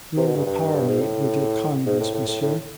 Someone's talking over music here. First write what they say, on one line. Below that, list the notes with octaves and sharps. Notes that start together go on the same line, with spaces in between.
"You overpower me with your kindness, monsieur."
C3
B2
G2
G2
G2
G#2
A2
G#2
A2
A2
A2
A2